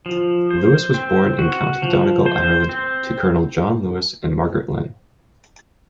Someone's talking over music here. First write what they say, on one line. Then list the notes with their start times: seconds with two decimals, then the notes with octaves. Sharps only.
Lewis was born in County Donegal, Ireland, to Colonel John Lewis and Margaret Lynn.
0.06 F3
0.51 C5
0.94 C4
1.38 F#4
1.82 F3
2.26 C5
2.69 C4